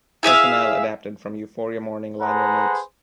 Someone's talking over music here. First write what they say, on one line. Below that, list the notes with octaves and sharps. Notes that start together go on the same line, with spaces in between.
Personnel adapted from "Euphoria Morning" liner notes.
E4 G#4 E5 F5
G#4 A4 B4 C5 F#5 A#5